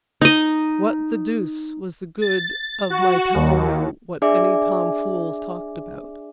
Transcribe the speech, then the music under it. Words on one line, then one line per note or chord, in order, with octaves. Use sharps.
"What the deuce was the good of my telling you what any tom-fools talked about?"
D#4 D#5
A6
F#4
D#2
D4 G#4 D5 E5 G#5 D6